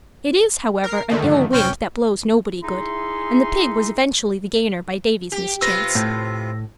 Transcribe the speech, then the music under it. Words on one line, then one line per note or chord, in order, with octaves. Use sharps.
It is, however, an ill wind that blows nobody good, and the pig was eventually the gainer by Davy's mischance.
A#4 C7
D3 D#3 A3
G2 C#3 F3
D1 F2 C3 C4 C#4 G5
D#4 E4 G#4 E5 C6
G4
C3 F4 B4 E6 A#6
A2